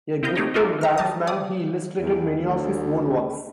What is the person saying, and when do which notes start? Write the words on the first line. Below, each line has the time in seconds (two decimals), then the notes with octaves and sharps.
A gifted draftsman, he illustrated many of his own works.
0.23 C4 E4 D#5 F5 G6
0.35 A3 C4 D#4 G4 C#5 D#5
0.54 D#4 F4 F#4 A#4 D5 E5
0.81 E5 A#5 F6
0.98 F#3 G3 A5 A#5 D#6
1.27 G4 D5 D#6
2.00 E2
2.43 D2